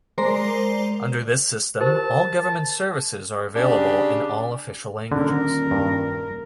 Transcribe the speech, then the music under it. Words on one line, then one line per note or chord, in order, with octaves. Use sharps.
Under this system, all government services are available in all official languages.
G#3 A#4 C5 D5 A#5 C7
G4 A#4 C5 A5
C#3 D4 G4
D#1 D3 A#4
G2